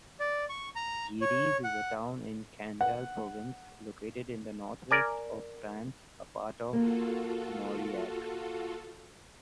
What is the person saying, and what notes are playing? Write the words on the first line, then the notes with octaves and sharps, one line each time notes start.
Ydes is a town in Cantal Province, located in the Northwest of France, a part of Mauriac.
D5
C#6
A#5
C#5
F#5
F#5
A#4 D5 G#5
A#3 F4 F#4 A4